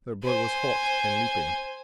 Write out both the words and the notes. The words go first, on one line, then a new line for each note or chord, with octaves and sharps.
Their blood was hot and leaping.
C5 G#5